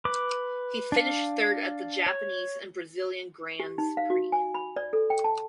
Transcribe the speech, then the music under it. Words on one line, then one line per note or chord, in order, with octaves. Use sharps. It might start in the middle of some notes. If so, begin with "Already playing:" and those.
He finished third at the Japanese and Brazilian Grands Prix.
B4 D6
D4 F5
C#5
G4
D#4
F5
F#4
G#5
B5
D5
A4
G5
A5